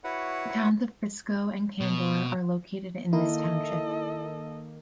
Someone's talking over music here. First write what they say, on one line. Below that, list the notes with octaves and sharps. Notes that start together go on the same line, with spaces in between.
The Towns of Biscoe and Candor are located in this township.
E4 F#4 B4 C#5 F#5
B2
D#3 A#3 E4 A4 D#5